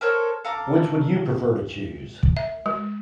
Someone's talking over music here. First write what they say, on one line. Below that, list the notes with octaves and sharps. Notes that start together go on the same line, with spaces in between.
Which would you prefer to choose?
A4 A#4 C5 C#5
A4 F5 A#5 D6
E5
G#3